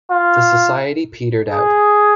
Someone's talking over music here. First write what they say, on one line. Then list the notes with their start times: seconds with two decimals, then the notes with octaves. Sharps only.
The society petered out.
0.11 F4
1.50 G#4